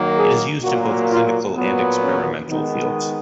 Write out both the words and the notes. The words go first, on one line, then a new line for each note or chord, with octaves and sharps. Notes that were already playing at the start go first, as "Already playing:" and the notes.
It is used in both clinical and experimental fields.
Already playing: D#3 F#3 A#3
G#4
A#2 F#3 A#3 F#4
F4
A#2 F#3 B3
C#4
D#3 G#3 B3 D#4